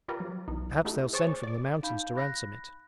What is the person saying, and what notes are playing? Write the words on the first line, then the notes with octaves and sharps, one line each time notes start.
Perhaps they'll send from the mountains to ransom it.'
F4 G4 A#4 B4 D5
F#3
B1 E3 D#4
A3 D#4 E4 F#4 G4 A4
G#4 C5 C#5 A5 C#6 D6
D5 D6
D#4 F5 B5 G6
B5 F#6 A#6